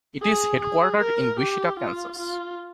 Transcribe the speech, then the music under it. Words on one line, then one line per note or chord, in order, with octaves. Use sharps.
It is headquartered in Wichita, Kansas.
G#4
G#4
A#4
G4
F4
F4